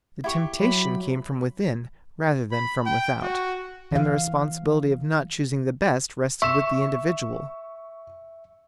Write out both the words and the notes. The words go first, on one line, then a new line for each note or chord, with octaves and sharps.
The temptation came from within rather than from without, and the responsibility of not choosing the best rested with the individual.
E4 G4 C#6
F#3 B5
B5
G5
F#4
E3 F5
E5 C#6 E7